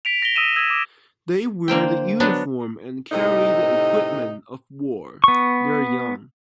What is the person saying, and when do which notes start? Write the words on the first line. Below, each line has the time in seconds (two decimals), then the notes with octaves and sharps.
They wear the uniform and carry the equipment of war; they are young.
0.05 B6 D7 F7
0.22 A#6 B6 G7
0.36 D#6 E6 A#6 D#7 E7
0.56 D#6 E6 G#6 D#7 E7
0.70 D6
1.68 D3 A#3 C5 G5
2.20 F#3 B3 D4 F#4
3.12 A2 C3 D#4 D#5
5.24 B3 C#6